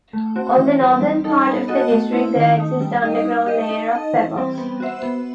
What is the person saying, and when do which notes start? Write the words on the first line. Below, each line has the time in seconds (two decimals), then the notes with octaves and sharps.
On the northern part of the district there exists underground layer of pebbles.
0.13 A3
0.36 C4 F#4
0.57 E3
0.79 G3 C4
1.01 G3
1.24 D#4 A4
1.47 B3
1.68 F#4 A4 D#5
1.91 A3
2.12 C4 E4
2.36 D#3
2.57 A3 D#4
2.80 G3
3.01 D#4 G4 D#5
3.24 D#4
3.46 G4 D#5
3.69 D#4
3.92 A4 D#5
4.13 E3
4.36 G3 C4
4.58 B3
4.80 F#4 C5 E5
5.03 B3